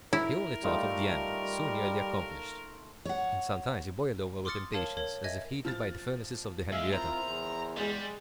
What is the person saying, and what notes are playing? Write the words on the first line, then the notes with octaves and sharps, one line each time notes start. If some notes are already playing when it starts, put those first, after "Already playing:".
He only thought of the end, so nearly accomplished; and sometimes he boiled over with impatience, as if heated by the furnaces of the Henrietta.
E4 A#4
G3 A3 D#4 F4
C#5 F#5
C6 D6 D#6 F6 A6 C#7
A#4 C#5 F5 A5 D#7
A#4 C#5
D#5 E5 G#5 G#6
F3 F6 A6
G#3 E5 F5
C4 E4 F4 A#4 C5 A#5
E2
G3 G#3 G#4 F5 D#6 F#6